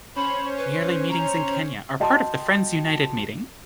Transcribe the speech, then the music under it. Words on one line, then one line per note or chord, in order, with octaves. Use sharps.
Yearly meetings in Kenya are part of the Friends United Meeting.
C#4 C5 C#5 B5
B4
A#5
F#4 D#5 G5 A5 C6